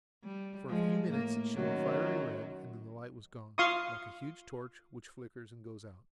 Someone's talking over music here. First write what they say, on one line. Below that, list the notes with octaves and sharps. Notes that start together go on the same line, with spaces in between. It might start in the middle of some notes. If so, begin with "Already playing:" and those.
For a few minutes it shone a fiery red and then the light was gone like a huge torch which flickers and goes out.
G3
F3 G#3
A2 A#3
F#2 D#3 F#3
F4 F5 C6 C#6 D#6